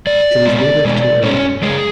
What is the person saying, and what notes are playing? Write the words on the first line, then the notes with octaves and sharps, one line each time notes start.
It is native to Iran.
B2 G#3 D5
B2 G#3 B3
B2 G#3 B3
B2 G#3 B3 C#4 C#5
F#2 C#3 G#3 G#4